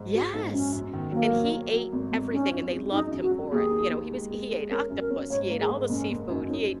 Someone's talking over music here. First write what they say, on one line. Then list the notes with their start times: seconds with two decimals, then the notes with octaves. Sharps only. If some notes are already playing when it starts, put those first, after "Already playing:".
Yes, and he ate everything, and they loved him for it, you know, he was he ate octopus, he ate all the seafood, he ate
Already playing: G#2
0.13 G#3 F#4
0.33 G#2 D#4
0.53 F#2 C#4
0.72 F#2
0.93 D#3
1.12 F#3 A#3
1.33 F#3
1.53 A#3
1.73 F#3
1.92 G#1
2.11 G#1
2.31 C#4 D#4
2.52 F#2
2.72 G#3
2.91 F#2 D#4
3.11 F#2
3.22 F#4
3.31 F#3
3.51 D#2 G#4
3.71 D#4
3.90 D#2
4.11 G#3
4.31 G#3
4.51 G#3
4.70 C#4 A#4
4.90 F#2
5.00 A#4
5.10 C#4
5.30 G#2 C#5
5.49 A#3
5.60 G#4
5.70 G#2
5.89 F#1 C#4
6.10 F#1
6.29 F#2
6.49 C#4 D#4